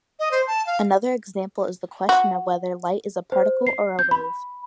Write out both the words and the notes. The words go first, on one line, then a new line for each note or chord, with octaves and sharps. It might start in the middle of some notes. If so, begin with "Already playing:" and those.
Another example is the question of whether light is a particle or a wave.
D#5
C5
A5
F5
F#4
C5
C7
G6
B5